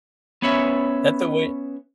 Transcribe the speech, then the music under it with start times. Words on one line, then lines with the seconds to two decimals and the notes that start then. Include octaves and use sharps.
that's the way
0.42 B3 C#4 B4 C#5 E5